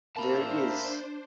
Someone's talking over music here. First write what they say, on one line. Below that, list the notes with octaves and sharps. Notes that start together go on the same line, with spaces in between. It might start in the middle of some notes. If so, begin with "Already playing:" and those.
There is.
A#3 D4 A#4 C5 E5 A5 B5